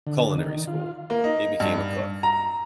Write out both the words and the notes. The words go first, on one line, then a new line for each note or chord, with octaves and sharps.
culinary school. He became a cook.
D3
D#3
F4
A#3
D#4
G2
A#5